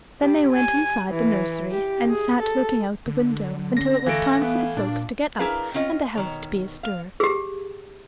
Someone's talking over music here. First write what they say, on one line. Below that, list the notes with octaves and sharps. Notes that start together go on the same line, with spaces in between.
Then they went inside the nursery and sat looking out the window until it was time for the folks to get up and the house to be astir.
G4
G#5
E3
G4
G#4
A4
D3
F#3
C#4 A#6
E3 A3 F5 D7
B3
A#2 D4
D4 E4 G#4 A#4 B4 F5
C4 C#4 F4 D#5
B2 D#3 C#5
F5
G4 G#4